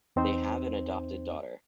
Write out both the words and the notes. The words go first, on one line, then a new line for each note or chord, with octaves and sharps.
They have an adopted daughter.
E2 C4 D#4 C5